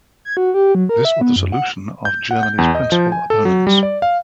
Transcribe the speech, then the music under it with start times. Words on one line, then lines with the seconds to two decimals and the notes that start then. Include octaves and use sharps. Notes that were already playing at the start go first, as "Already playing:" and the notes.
This was the solution of Germany's principal opponents.
0.25 G#6
0.37 F#4
0.54 G4
0.75 F#3
0.89 A#4
1.05 E5
1.21 B3
1.36 F#2
1.52 F#5
2.05 G6
2.31 F#5
2.43 G6
2.58 E2
2.75 D#5
2.92 F3
3.12 G#5
3.30 A4
3.45 F#3
3.67 G3
3.83 D5
4.02 F5